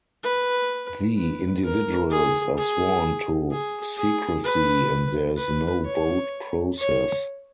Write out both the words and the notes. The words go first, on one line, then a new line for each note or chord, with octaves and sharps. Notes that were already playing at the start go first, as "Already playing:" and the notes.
The individuals are sworn to secrecy and there is no vote process.
B4
B4
A#4
G#4
G#4
G#4
G#4
B4
B4
C#5
C#5